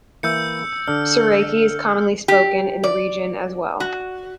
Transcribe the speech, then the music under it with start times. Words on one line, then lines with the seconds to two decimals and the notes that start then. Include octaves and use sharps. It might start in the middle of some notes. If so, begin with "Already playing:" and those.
Seraiki is commonly spoken in the region as well.
0.23 E3 A#3 E4 E6 G6 C#7
0.88 D3 D4 F6
2.28 G4
2.84 D5
3.80 F#4